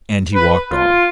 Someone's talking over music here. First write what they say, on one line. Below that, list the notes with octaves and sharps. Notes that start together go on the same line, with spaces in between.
And he walked on.
B4
F4